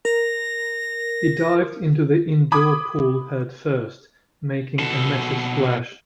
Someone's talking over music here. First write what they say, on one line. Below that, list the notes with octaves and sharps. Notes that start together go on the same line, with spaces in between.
He dived into the indoor pool head first, making a messy splash.
A#4 A#6
B5 D6 D#6 G#6
B2 A4